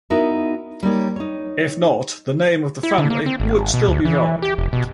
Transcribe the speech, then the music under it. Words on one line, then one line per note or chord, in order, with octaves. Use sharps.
If not, the name of the family would still be valid.
B3 D#4 E4 F#4 A#4
G3 A#3 D#4 C#5
D#4 C#5
E4
D3
A#3
C4
G#1
B2
D2
E3
G4
F1
B2